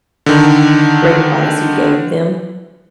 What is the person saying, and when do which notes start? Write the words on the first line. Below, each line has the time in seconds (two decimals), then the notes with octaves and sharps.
great advice you gave them?
0.26 D3 D#3